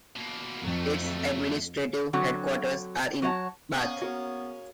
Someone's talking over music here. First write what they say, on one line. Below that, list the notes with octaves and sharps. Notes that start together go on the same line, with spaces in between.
Its administrative headquarters are in Bath.
B2 A#3
F2 F#3 A3
D3 F#3 C4 F#4 F#5
F#3 F#4 C#5 D5 F#5 A5
A#3 B3 C#4 G#4
B3 F#4 A#4 C#5